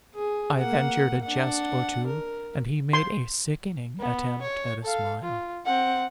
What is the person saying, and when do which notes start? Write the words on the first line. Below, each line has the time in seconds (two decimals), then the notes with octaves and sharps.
I ventured a jest or two, and he made a sickening attempt at a smile.
0.15 G#4
0.59 A#3 F#5
1.24 D4 F#5
2.07 A#4
2.93 C6
4.00 B3
4.42 C#5
4.83 A4 F5
5.22 F4
5.65 C4 F#5